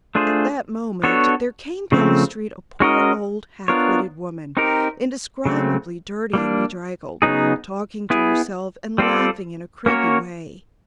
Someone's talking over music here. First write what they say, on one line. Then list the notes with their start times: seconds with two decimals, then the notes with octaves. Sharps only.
At that moment there came down the street a poor old half-witted woman, indescribably dirty and bedraggled, talking to herself and laughing in a creepy way.
0.15 A3 D4 F4 G#4 C5
1.03 B3 D4 F#4 A4 C#5
1.92 C#3 F3 A3 C4
2.80 G#3 C#4 F#4 A#4 D#5
3.68 B3 D4 F4 A#4 C#5
4.57 C4 D#4 G4 A#4
5.45 C#3 F#3 A3 C4
6.33 G3 A#3 D4
7.22 C#3 F#3 B3 D#4 G#4
8.10 B3 E4 G#4
8.98 G3 C4 F4 A4 D5
9.86 A#3 C#4 F#4 A#4 C#5